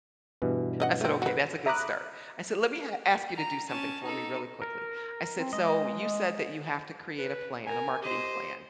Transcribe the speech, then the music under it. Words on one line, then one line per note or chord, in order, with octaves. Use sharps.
I said, "Okay, that's a good start." I said, "Let me a ask you to do something for me really quickly." I said, "So, you said that you have to create a plan, a marketing plan,"
G2 B2 E3
C#4 D#5 F#5
A3 C4
F#4 B4
E5 A#5 B5 D6 D#6 F#6
A#5
C#4 A5
D#4 A4
A#4
C4
G#3 D#5
B4
A#4 G#5
G4 C5 D#5